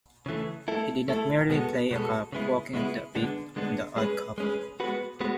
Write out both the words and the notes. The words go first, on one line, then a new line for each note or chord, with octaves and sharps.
He did not merely play a cop walking the beat on 'The Odd Couple'.
C#3 E3 A3
A3 E4 A4
A3 E4 A4
B2 G#3 B3 F#4 A4
B2 G#3 B3 F#4 A4
C#3 G#3 B3 E4
C#3 G#3 B3 E4
D3 G#3 B3 D4
D3 G#3 B3 D4
G#3 C#4 G#4 B4
G#3 C#4 G#4 B4
G#3 B3 F#4 B4
G#3 B3 F#4 B4